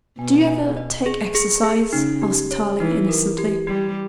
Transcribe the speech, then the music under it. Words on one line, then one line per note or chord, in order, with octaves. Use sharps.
"Do you ever take exercise?" asked Tarling innocently.
B2 G#5
G#5
D#5
G#4
G#4
G#4
C#3 D#4
G4
C#5
E3 D#4
A#4
G4
G3 G4